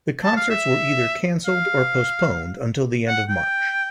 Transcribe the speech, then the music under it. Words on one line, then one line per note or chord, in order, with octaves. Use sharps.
The concerts were either canceled or postponed until the end of March.
A5
F5
E5
F5
F#5
G5